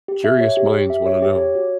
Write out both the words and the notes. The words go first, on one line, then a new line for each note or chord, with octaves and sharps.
curious minds want to know.
G4
E5
C#5
G4
G4
E5
C#5
G4
C#5
F#4